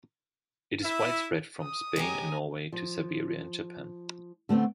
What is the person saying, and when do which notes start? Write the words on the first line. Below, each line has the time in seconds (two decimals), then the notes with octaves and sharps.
It is widespread from Spain and Norway to Siberia and Japan.
0.84 E4 E5
1.63 D#6
1.96 G#3 C#4 G4 G#5 A#5
2.72 F3
4.49 D3 A3 B3 C4